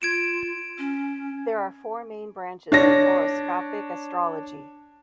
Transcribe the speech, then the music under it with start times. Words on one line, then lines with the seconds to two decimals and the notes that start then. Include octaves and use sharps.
There are four main branches of horoscopic astrology.
0.02 F4 G#6 D7 E7
0.78 C#4
2.72 D4 C#5 A#6